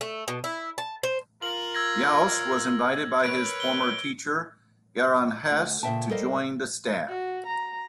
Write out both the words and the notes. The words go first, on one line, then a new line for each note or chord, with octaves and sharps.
Jauss was invited by his former teacher Gerhard Hess to join the staff.
A3
B2
E4
A5
C5
F4 A#4 F#7
E6 G#6 A#6
A#4 B4 C#5 D7
G7
D2
A#2 C#3 C5 E5 G5 A5
G3 A4 A#4 C5 D#5 F5
F#4
A#5